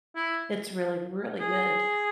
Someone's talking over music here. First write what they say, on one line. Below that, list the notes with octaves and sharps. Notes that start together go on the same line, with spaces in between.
it's really, really good.
E4
G#4